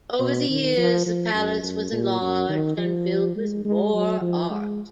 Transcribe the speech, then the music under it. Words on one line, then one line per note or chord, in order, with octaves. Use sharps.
Over the years the palace was enlarged and filled with more art.
B2
D#3
F3
F3
F#2
F#2
A#2
F#2
D#3
F3
G#3
G#3
F#3
F3
G#3